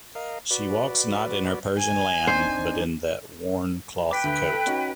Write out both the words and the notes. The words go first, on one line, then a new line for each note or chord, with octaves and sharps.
She walks not in her Persian lamb, but in that worn cloth coat.
A#4 D#5 F5
F#4 B4 D5
G#5
C4 D4 D#4 C5
B4 G5 D6 B6
D2
A4
C#4 D#4 F#4